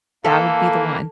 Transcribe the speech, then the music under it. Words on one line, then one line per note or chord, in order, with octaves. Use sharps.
that would be the one.
E3 A#3 A4 F5